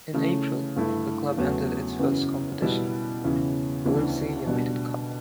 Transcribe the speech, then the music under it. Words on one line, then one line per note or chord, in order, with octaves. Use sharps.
In April, the club entered its first competition, the Livesey United Cup.
C#3 E3 A3
G2 D3 A3 E4
E2 C#3 F#3 A3
F#2 C#3 E3 B3
B2 G3 B3 E4
E2 C#3 E3
D2 C#3 E3 B3 D4
B2 G3 D4